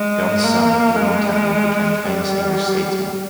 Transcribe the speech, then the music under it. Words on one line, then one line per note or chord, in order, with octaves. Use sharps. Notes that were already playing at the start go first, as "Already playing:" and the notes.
John's son William Temple became a famous English statesman.
Already playing: G#3
A#3
G#3
G3